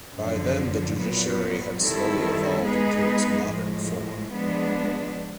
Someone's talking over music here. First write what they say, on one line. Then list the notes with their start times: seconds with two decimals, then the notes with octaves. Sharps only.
By then, the judiciary had slowly evolved into its modern form.
0.14 F#2 D3 F3
0.97 A#2 F#3 B3
1.80 D#3 G3 C4 E4 A4
2.64 G#3 B3 D#4 G#4 B4
3.47 A2 F3 G#3
4.30 F3 G#3 B3 D4